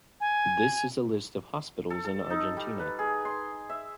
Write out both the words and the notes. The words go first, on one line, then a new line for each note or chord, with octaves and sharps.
This is a list of hospitals in Argentina.
G#5
A4
A4
D#4
G3
B4
G#4
C6
E5